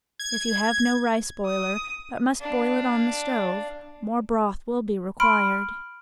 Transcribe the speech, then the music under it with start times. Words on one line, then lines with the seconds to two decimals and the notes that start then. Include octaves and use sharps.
If you have no rice boiler, but must boil it on the stove, more broth will be required.
0.19 G#6
1.45 D#6
2.41 D4 F5
5.20 B5 C6 F6 D7